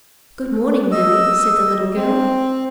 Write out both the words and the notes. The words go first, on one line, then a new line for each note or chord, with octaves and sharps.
"Good morning, mammy," said the little girl.
D#5 E6
C4